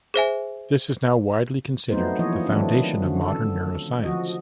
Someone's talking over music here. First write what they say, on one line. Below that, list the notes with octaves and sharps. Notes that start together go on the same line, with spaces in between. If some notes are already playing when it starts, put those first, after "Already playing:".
This is now widely considered the foundation of modern neuroscience.
G#4 C5 E5 G#5
F#3 A3 B3 C4 D#4 C5
E3 F3 A#3 E4 C#5 D#5
D#3 E3 F#3 A3 C4 D4
D3 C#4 F#4
A4
F3 F#4 D#5